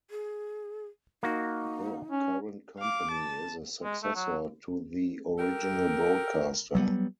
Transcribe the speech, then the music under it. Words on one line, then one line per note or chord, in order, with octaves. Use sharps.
The current company is a successor to the original broadcaster.
G#4
A#3 D#4 F#4
C#4
F5 D6
A5
G#3
A3
F#3
G4 A4 A#4
F#3 G3 B3